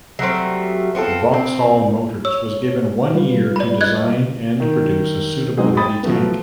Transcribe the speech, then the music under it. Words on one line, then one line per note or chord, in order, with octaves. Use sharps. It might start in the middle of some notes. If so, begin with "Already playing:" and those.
Vauxhall Motors was given one year to design and produce a suitable heavy tank.
F#3 G3 A3 C4
B3 C4 F4 A4
C4
C#5 E6
G3 F4 B4
D5 B5
D#5 F#6 G#6
D#3
F#3 G#3 C4 D#4 F#4 G#4
G5 B5 D#6 A6
F3 F#3 A3 B3